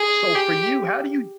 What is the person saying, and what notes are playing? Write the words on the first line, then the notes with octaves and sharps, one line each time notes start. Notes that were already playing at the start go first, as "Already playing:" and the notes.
So, for you, how do you
Already playing: G#4
G4